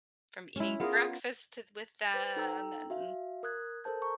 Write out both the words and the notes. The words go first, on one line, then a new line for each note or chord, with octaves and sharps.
from eating breakfast to with them, and
G#3 C#4 E4
B3 F4 G#4 A#4
B4 C5
D#4 A4 G5 A#5 E6
F#4 E5 F5
A#4 D#6 F#6 G#6
A4 A#4 C5 A5 G6
A#5 C#6